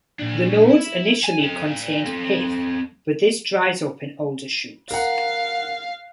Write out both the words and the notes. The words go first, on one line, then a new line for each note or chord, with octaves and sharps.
The nodes initially contain pith but this dries up in older shoots.
A#2 D4
E4 E5
G#5
A4 D#5
D5 F5
C4 A4
A#4 F5 F#5